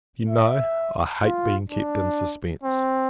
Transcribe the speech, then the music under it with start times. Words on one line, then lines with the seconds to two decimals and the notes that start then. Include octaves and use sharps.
You know, I hate being kept in suspence.
0.30 E5
1.23 F4
1.70 D4
2.63 C4